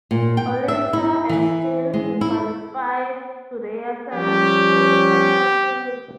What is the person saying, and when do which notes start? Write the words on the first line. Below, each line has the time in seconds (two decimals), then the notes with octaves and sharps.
Olimpia and failed to qualify to their seventh straight final series.
0.11 A#2
0.37 G5
0.68 E5
0.93 E4
1.29 E3
1.94 G#3
2.21 E4
4.12 F3 G3 C#4 G4